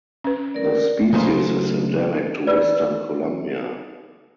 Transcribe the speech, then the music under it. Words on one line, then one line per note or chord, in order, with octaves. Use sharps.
The species is endemic to western Colombia.
C#4 B4
A#4 D5
C#3 F#3 A3 D#4 C5 D#5
F4 A#4 B4 D5